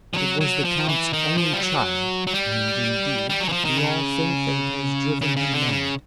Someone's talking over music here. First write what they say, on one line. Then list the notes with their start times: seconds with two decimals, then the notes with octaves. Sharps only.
It was the count's only child, and indeed we all think that it has driven him mad.
0.14 F3
0.17 F#3
0.41 F#3
0.65 F3
0.89 E3
1.13 D#3
1.38 F3
1.53 G3
1.61 F#3
2.27 F#3
2.34 G3
3.30 G3
3.40 F#3
3.49 E3
3.52 F3
3.65 D#3
3.77 C#3
5.21 C#3
5.37 C#3
5.52 D3
5.68 C#3